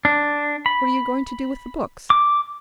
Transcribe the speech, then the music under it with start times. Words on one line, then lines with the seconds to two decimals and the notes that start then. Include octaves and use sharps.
What are you going to do with the books?
0.05 D4
0.66 B5
2.10 D6